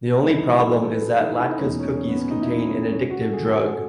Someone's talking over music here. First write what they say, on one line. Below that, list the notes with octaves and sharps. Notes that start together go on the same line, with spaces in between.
The only problem is that Latka's cookies contain an addictive drug.
F#2 C#3 E3 G#3 E4
D#4
E4
A4
G#4
A4
B4
A4
E4
D#4
E4
D#4
E4
C#4
E2 B2 A3 D#4
C#4
C#4
B3
C#4
D#4
E4
D#4
C#4
C#4
C#4
F#2 C#3 F#3
F#4
A4
G#4
F#4
G#4
A4